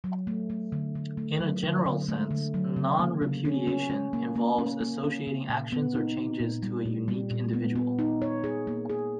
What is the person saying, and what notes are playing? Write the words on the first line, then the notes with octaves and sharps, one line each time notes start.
In a general sense "non-repudiation" involves associating actions or changes to a unique individual.
F#3
A3
A3
D3
D3
A3
F#3
D3
D3
A3
D3
F#3
C#3
A#3
C#3
C#4
C#4
C#4
A#3
A#3
C#4
A#3
C#4
C#3
A#2
B3
D#4
D#4
A#2
G3
A#2
G3
A#2
B3
B3
D#4
C#5
G#4
A#3
G#4